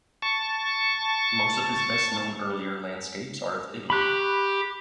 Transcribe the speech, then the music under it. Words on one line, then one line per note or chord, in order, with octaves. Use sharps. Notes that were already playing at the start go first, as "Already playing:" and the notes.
Most of his best known earlier landscapes are of Italy.
A5 C#6
G4 B5 C#6 F#6